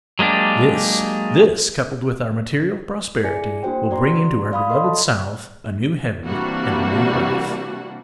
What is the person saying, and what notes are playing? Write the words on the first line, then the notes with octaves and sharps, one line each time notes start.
This, this, coupled with our material prosperity, will bring into our beloved South a new heaven and a new earth.
F#3 G#3 A#3 D4 G4
E4 G#4 D5 G#5 C#7
A#3 D4 F#4 C5 G5
F#4 D5 A#5 C6
D5 F5 B5 D#6
A4 D#5 C6
A5
C3 E3 G3 A#3 D4 F#4